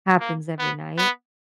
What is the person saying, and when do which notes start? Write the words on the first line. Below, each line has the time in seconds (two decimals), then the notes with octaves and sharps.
happens every night,
0.20 A#3
0.59 B3
0.97 B3